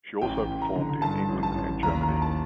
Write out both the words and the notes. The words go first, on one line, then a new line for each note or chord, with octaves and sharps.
She also performed in England and Germany.
A1 G5
A1
A#5
D3
G2 A5
A1
A5
A1
D#2 A#5
A#5
D#2
A#5
A5